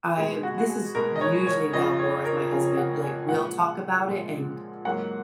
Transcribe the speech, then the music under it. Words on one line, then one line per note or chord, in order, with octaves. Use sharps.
I've this is usually now more with my husband, like, we'll talk about it, and
B2 G#3 G#4
F#4
F#4
G#4
B2 G#3 A#4
D#5
C#5
C#5
F2 C#3 F3 D#5
C#5
A#4
F2 C#3 F3 G#4
F#5
G#5
A#2 F3 G#3 F#5
A#2 F3 G#3
G#2 F#3 A#3 F#5